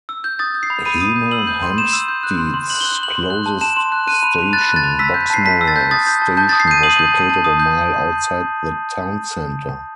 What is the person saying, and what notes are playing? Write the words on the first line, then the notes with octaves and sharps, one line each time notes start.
Hemel Hempstead's closest station, Boxmoor station, was located a mile outside the town centre.
E6
G6
D#6 A6
G6
C7
B5
B5 D#7
D#6
G6
E6 F#7
G6
C6
C6 E7
E6
G6
F#6
C6
C6
F#6 F#7
G7
F#6
G7
C6 F#7
C6
F#6
A5
A5 E7
C6
F#6
F#6 D#7
B5
B5
F#6 A6
F#6
A6
B5
E6 B6
G6
A5 C7
A5 B6
E6
A6
G6
D#6 A6
G6
A5
A5 G6
A6
D#6
C7
G6 D#7
D#6 F#7
G6
A5
A5
D#6
G6